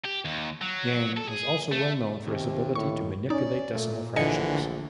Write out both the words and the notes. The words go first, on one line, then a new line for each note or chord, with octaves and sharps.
Yang was also well known for his ability to manipulate decimal fractions.
G4
D#2
F#3
A4
G#4
A3
D#2 C3
A2 C#6
C#4 D#4 D5
A#2 A3
A#1 D3 E3 D#5 G#5 C#7
D2